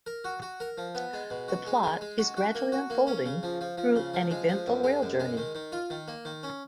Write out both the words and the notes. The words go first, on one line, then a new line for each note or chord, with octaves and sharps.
The plot is gradually unfolding through an eventful rail journey.
A#4
F#4
F#4
A#4
F3
B3
G#3
B2
F#4
G#3
G#3
G#3
F#4
F#4
A#3
F#4
A#3
C#4
C#3
F3
F3
F3
C#3
F3
G#3
F3
F#2
G#3
F#2
G#3
D#3
D#3
F4
D#3
A#3
D#3
C#4